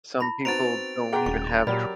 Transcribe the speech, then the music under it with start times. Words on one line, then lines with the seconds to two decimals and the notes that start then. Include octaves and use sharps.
Some people don't even have dr
0.20 E4 B5
0.45 B3 C4 D#4 F#4 A#5 A6 D7 F7
1.13 F#4 G#4 F#5 G5 A#5
1.26 D#1 C#4 C#6
1.67 A#2 F#3 G4 A#4 D5 B5